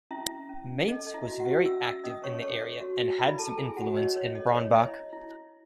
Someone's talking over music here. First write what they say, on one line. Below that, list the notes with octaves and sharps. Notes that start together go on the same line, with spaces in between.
Mainz was very active in the area and had some influence in Bronnbach.
C#4 E4 E5
C#4
A4 D#5
D#5
E4 E5
F#4
F#4 F#5
C#4 E5 E6
E5 E6
C#4 D#5 D#6
C#5 C#6
A4 C#5 C#6
F#4
E4 B4 B5
A4 A5
E4 G#4 G#5
F#4 F#5
C#5 D#5
C#5
A4 D#5
C#5
E4 D#5
E4